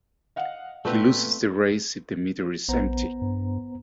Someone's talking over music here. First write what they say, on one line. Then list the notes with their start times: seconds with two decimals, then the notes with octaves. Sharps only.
He loses the race if the meter is empty.
0.36 D#5 F5 F#5
0.85 A#2 A3 B3 C4 D4 B4
2.69 A#1 B3 C5 A#5
3.22 G2